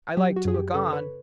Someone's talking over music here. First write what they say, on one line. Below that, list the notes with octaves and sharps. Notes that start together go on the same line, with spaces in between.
I like to look on.
F#3 G4
F#4
F#2 G#4
G4
C#3 A4 B4
B4 C#5